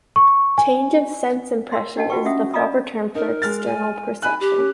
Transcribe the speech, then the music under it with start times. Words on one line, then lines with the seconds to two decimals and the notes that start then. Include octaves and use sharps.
Change of sense-impression is the proper term for external perception.
0.16 C#6
0.58 G#5
1.72 A#4 C6
1.97 D4 G4 D#5 F#5 A5
2.10 F4 F#4 B4 G5 C#6
2.25 C#4 E5 F#5 D#6
2.53 D5 D#5 F5 A#5 B5 D#6
3.15 D#4 A#4
3.42 G#3 F6 A6
3.66 G#5
4.22 G#5 B5 F#6
4.40 G4
4.58 C#4